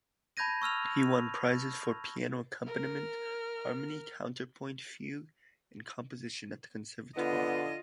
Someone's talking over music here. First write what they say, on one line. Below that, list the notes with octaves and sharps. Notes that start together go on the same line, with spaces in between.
He won prizes for piano accompaniment, harmony, counterpoint, fugue, and composition at the Conservatoire.
A5 B5 G6 G#6 A#6 D#7
C#6 E6 F6 F7
A#4 F6
D3 B3 F4 D#5